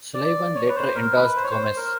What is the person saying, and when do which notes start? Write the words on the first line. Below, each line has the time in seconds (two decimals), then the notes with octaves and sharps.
Sullivan later endorsed Gomez.
0.14 D5
0.55 C#5
0.69 B4
0.75 C5
0.95 A#4
1.16 B4
1.36 C5
1.44 C#5
1.51 C5
1.76 A#4